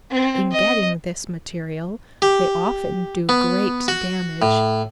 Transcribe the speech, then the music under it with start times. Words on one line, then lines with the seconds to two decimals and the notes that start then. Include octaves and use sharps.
In getting this material they often do great damage.
0.11 C4
0.52 D#5
2.22 G4
3.29 B3
3.88 F#4
4.42 A2